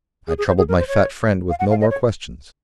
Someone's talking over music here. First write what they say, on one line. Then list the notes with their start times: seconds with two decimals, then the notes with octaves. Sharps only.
I troubled my fat friend with no more questions.
0.28 G#4
0.38 G#4
0.48 C5
0.58 G#4
0.69 A#4
0.78 C5
0.88 C#5
1.50 F5
1.59 F#5
1.70 F5
1.81 D#5
1.90 C#5